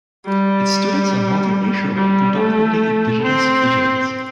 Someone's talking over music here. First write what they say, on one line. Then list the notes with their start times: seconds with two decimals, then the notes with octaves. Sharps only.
Its students are multiracial, but predominantly Indigenous Fijians.
0.26 G3
1.95 G3
2.37 A3
3.22 C4